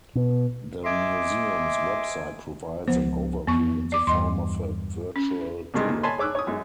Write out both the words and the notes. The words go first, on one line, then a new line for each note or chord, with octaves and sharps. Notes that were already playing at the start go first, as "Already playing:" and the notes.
The museum's website provides an overview in the form of a virtual tour.
B2
D#5 E5 G#5 C6 D6
C#2 F3 B3 C5
F2 B3 C#6
D5 D6
E2 G2 D#5 C6
C#4
C2 G2 G#3
D#2
C#5 G#5 A5 B5 C6
G#4 C#5 D6 E6 F#6
C#5 D#6
F#2 G#3